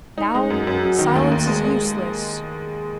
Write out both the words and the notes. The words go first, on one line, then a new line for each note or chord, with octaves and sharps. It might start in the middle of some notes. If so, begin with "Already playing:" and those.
Now silence is useless.
D#4
G#3
F#2
F#2
F#3
D#3
D#2
D#2
G#3
G#3